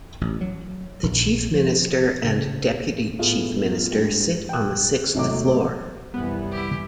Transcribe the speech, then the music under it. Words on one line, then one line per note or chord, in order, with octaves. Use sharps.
The Chief Minister and Deputy Chief Minister sit on the sixth floor.
A1
F#3
A#1
F3
C#3
A2 A3 B3 F4 G#4
G2 G#3 G4
G5 F#6
G#1 E2 C3 F#3 A3 D6
C2 F#2 E3 G3 B3
E4 G4